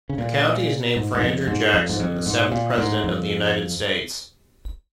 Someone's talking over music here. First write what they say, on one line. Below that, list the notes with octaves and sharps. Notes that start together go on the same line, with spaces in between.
The county is named for Andrew Jackson, the seventh president of the United States.
C#3
A#2
G#2
G#2
F2
G#2
F2
G#2
F2
G#2
A#2
G#2
F2